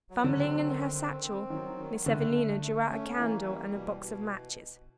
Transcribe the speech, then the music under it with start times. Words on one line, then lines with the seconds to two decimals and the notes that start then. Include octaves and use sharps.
Fumbling in her satchel, Miss Evelina drew out a candle and a box of matches.
0.10 F#3
0.24 D3
0.39 C4
0.67 D#3
0.94 C4
1.22 C4
1.50 D#3 F#3
1.78 D#3
2.06 D3 A3
2.34 A3
2.62 A3
2.90 C#4
3.18 E3 A#3
3.46 G3
3.73 B2
4.02 B2